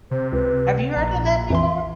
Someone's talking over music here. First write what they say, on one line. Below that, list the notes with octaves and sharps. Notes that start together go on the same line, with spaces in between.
Have you heard of that before?
C3 C5
C#2 B4
A#1 A#5
F2 E3 E5 C6